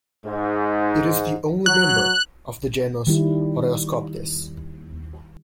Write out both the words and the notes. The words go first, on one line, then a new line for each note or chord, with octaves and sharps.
It is the only member of the genus Oreoscoptes.
G#2
F#3 F#6
D#3 G3 E4